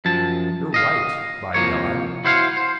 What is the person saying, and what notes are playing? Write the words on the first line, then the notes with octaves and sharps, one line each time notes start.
You're right, by God.
F#2 F3 A5
D#5 F5
C2 F3 A#3 C#5
E4 F#4 C5 C#5 F5
C5